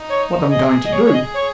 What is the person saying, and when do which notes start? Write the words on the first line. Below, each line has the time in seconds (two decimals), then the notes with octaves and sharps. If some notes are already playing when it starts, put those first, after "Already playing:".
"What um going to do?"
Already playing: D#4
0.09 C#5
0.49 G#4 D#5
0.84 D#5
0.92 C#5
1.04 C#5
1.12 D#5
1.34 C#5